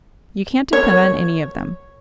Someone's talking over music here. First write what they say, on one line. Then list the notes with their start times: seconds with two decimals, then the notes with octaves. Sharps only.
You can't depend on any of them.
0.73 C#5